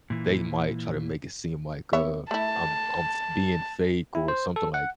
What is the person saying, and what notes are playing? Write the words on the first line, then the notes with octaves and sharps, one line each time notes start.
they might try to make it seem like, uh, I'm I'm f being fake or something, like
A#2 E3
B3 C#5 E5
A3 E4 A5
E4
C5
A4
F#5